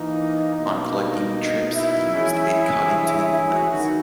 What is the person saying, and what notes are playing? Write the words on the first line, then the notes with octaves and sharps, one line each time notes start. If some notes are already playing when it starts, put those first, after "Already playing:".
On collecting trips he used a Coddington lens.
Already playing: E3 A#3 D#4
D#5
B2 A#3 D#4
D#5
E4
E3 G#3 C#4 G#4
E4
E4
F#4
D#3 F#3 B3 D#4 F#4